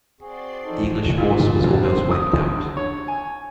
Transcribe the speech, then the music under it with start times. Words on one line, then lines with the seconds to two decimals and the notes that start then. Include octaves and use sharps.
The English force was almost wiped out.
0.20 C4 F#4 G#4 D5 C6 C7
0.65 F#2 E3 F3 D#4 A4
1.18 A#2
1.63 F2
1.83 C4
2.11 D#6
2.54 D3
2.77 C#5
3.08 G#5